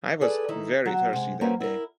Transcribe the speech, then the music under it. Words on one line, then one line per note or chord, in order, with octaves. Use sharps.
I was very thirsty that day.
G#4 A4 B4 D5
D#3 D#4 E4
F#3
C3 G#3
A#3 C4 C#4 F#4 A#4 B4
E4 A#4